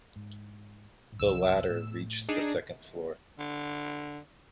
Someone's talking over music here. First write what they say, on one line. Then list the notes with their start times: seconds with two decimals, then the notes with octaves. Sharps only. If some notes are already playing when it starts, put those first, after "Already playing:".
The ladder reached the second floor.
0.16 G#2
1.20 C2 F2 E6
1.70 A2
2.29 D4 D#4 G#4
3.39 D3